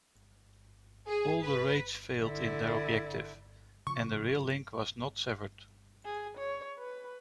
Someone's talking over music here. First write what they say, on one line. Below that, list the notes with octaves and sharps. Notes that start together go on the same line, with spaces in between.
All the raids failed in their objective and the rail link was not severed.
G#4
B4
D3 E4
C#3 F3 C#6
G#4
C#5
B4